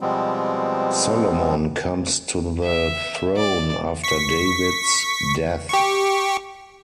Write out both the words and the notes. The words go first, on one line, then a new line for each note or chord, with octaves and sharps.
Solomon comes to the throne after David's death.
B2 F3 G3 G#3 B3 C4
E5
D5
C#6 B6
G4 C#6